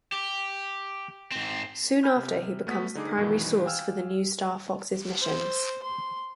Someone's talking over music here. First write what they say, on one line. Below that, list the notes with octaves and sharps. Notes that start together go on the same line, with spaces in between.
Soon after, he becomes the primary source for the new Star Fox's missions.
G4
G#2 C4
G#5 B5 F6 G6
C3
A3 B3 F#4 D#6 B6
D3 D#4 G#4 D6
G2 B2 D#3 E3
F5 G5 G#5 E6 F6
C5
C6